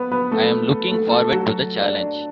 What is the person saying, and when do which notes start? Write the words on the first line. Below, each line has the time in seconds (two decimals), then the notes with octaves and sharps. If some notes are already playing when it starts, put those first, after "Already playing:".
I am looking forward to the challenge.
Already playing: B3 B4
0.11 B3 B4
0.31 A3 A4
0.91 A3 A4
1.11 A3 A4
1.31 F#3 F#4
1.81 D4